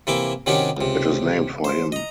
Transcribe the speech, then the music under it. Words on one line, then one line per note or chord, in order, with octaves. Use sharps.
It is named for him.
C3 E3 A#3 E5 D6
C3 D#3 F#3 C#4 D4 G4
C#2 C3
C5
D#5 A#5